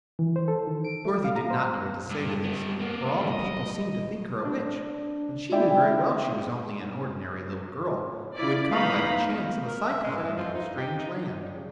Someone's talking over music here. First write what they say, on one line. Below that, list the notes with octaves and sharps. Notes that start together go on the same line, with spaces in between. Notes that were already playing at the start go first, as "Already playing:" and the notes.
Dorothy did not know what to say to this, for all the people seemed to think her a witch, and she knew very well she was only an ordinary little girl who had come by the chance of a cyclone into a strange land.
E3
C5
A4
D#3
D7
A3
F5
A#5
C5
G2
G3 B3
A#3 B3
G2 A3
D#5
D4
G#3 E4 D5 E5 G5
E4 F4 D5
B3 D#4 F5 A#5 B5
A#4
E5
G#3
E3
F3
D#4
G4
D#4
D4
G3
C#3